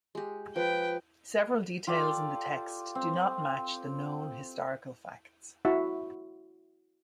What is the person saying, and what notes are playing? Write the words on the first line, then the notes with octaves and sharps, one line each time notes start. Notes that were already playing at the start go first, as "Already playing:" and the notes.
Several details in the text do not match the known historical facts.
G#3 G4
F3 B4 G5
F4 G4 A4 D5
C4
E4 F#4 E5 F#5